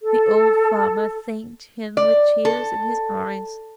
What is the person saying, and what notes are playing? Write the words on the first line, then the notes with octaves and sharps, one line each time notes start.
The old farmer thanked him with tears in his eyes.
A4
D5
A4